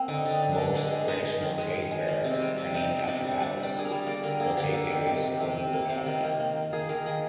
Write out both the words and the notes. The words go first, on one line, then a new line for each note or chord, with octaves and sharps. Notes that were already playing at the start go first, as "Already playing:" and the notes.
Most British military barracks are named after battles, military figures or the locality.
Already playing: A#3 C4
D3 D#4
D3
D4
D3
D4
D3
G#3 D4
G#3
G#3 D#4
G#3
D#3
G#3
G#3
G#3
A#3
C3
G3
C3
D4
C3 D#4
C3
C3 D4
G3
G3 D4
G3
D4
A#3 G#4
A#4
G3
A#3 D5
D3 A#4
A#3 G#4
D3 G4
A#3
D#3
C3 G4
C3
C3
C3
A#3
C3
D#3
A#3
A#3
A#3
A#3 G#4
D#3 A#4
D#3 G#4